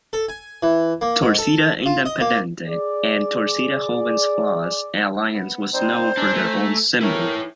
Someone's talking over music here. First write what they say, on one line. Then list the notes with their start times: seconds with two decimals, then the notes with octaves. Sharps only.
"Torcida Independente" and "Torcida Jovem Fla"'s alliance was known for their own "symbol".
0.13 A4
0.29 G#5
0.63 E3
1.01 A#3
1.22 G#2
1.38 A4
1.86 F4
2.06 D#5
2.21 A#3
2.67 G#4 D5
5.33 B3
5.73 G3 C4 D#4 C5
6.17 D4 G#5 A#5 E6
6.34 A3
7.01 E3 E4 A#4 C#5